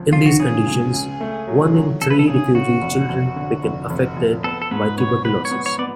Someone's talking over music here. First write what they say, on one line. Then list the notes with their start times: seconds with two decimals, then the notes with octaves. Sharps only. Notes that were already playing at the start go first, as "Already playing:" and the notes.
In these conditions, one in three refugee children became affected by tuberculosis.
Already playing: C#2 F3
0.12 F3 F4
0.26 F#4
0.40 C#3 G#4
0.67 C#2
0.93 C#2
1.21 A3
1.47 F#3
1.74 F#3
2.02 C#3 A4
2.10 B4
2.19 A4
2.28 C#3 G#4
2.55 C#3 F#4
2.82 F1
3.09 F1
3.36 D3
3.63 F1
3.90 F1
4.17 F2
4.44 B3 A4
4.62 A4
4.71 G#2 B4
4.98 B3 C#5
5.25 B3 B4
5.45 C#5
5.51 B3
5.66 C#5
5.79 B3 D5